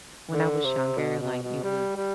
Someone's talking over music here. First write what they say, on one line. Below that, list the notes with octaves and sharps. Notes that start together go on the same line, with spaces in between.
when I was younger, like, it was,
D3
C3
B2
B2
B2
G3
G3